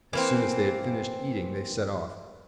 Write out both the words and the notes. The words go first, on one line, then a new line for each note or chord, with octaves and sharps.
As soon as they had finished eating they set off.
E3 A#3 C4